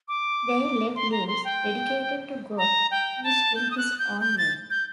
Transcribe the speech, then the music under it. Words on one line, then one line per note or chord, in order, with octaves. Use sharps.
They led lives dedicated to God, each in his own way.
D6
C6
A#5
C6
G5
A#5
G5
A5
G6
D#6
F#6
G6
G6
A6
G6